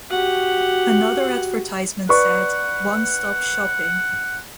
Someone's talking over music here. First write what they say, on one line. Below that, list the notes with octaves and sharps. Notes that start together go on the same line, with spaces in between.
Another advertisement said, One-stop shopping.
F#4 G4 F#5
B4 D5 F#5 C#6